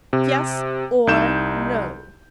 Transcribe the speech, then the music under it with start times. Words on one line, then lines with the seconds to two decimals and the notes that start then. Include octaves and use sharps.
"Yes, or no?"
0.13 C3
1.07 C2 D#4 G6 E7